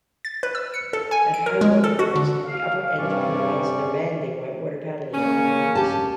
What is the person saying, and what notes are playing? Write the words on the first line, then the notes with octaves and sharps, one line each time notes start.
At high water-levels, the upper end provides demanding white-water paddling opportunities.
A6
B4
E6
C#7
A4
G#5
D7
A#4
G#3
A4
F#4
D3
F5
G2 C3 C#4 D5 C#6
C#3 A#3 C#4
G4 A5